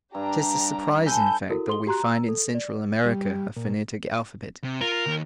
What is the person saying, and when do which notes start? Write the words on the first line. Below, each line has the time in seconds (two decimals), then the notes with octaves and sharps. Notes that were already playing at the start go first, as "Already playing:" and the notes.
It is a surprising fact that we find in Central America a phonetic alphabet.
0.15 G2 D4 G4 A#5
1.06 A4 B4 G#5 G6
1.50 E4 F#4 A4 A#4
1.67 A4 C6 G7
1.86 F#4 G4 A#5 C6 F#6
2.00 A#5 E6
2.28 A4
2.55 D5
3.05 G3
3.56 A#2
4.64 C3
4.81 F4 A#4
5.06 D#2 D#3